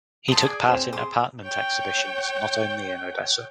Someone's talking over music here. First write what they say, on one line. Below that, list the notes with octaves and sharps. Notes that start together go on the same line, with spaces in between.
He took part in "apartment exhibitions" not only in Odessa.
C5 A5 D#6
G#4 D5 G#5
C4 E7
G#4 C6 D6 D#6
C#5 G5